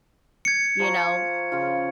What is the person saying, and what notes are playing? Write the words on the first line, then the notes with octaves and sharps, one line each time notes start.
you know?
G#6 C#7
F3 A#5 C#6
C#3 C#4 F4